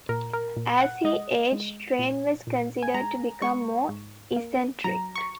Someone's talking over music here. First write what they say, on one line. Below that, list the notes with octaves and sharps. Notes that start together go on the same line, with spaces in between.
As he aged, Train was considered to become more eccentric.
A#2 A#4
A#4
A#2
F#5
G#3 D#5
G#3
A#2
A#2
G#5
G#3 A#5
G#3 C#6
G#2
A#3
F#3 A#5
C#6